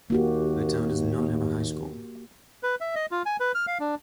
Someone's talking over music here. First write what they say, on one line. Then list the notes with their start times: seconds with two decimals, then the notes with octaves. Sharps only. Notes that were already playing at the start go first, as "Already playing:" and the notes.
The town does not have a high school.
0.10 D#2 A#3 F#4 G4
2.63 B4
2.81 E5
2.95 D#5
3.11 F4
3.26 G#5
3.40 B4
3.55 F6
3.67 F5
3.80 D4